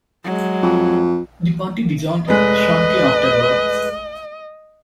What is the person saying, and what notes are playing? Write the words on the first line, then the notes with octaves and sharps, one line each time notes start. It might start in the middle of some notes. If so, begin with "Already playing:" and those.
The party dissolved shortly afterwards.
F#3 G#3
F2
F1 G#3 B4 D#5